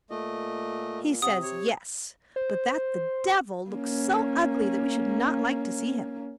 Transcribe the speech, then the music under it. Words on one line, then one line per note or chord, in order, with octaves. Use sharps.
He says ''Yes;'' but that the Devil looks so ugly that we should not like to see him.'
A#2 A3 D#5
C3 F#5 D#6
G4 C#5
C5
A#3 C#4